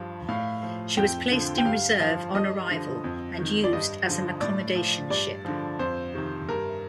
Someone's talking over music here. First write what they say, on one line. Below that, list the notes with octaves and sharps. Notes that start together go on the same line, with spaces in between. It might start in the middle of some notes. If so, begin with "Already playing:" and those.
She was placed in reserve on arrival and used as an accommodation ship.
Already playing: G2 F3
A2 F5
F3
F2 G5
D3 F3
G5
G2 F5
F3
G2 D#5
D3 F3
F2
D#3
D5
G2 D#5
D3 F3
A2 D5
F3
G2 D5
D3 F3
F2 C5
C3 D#3
G2 A#4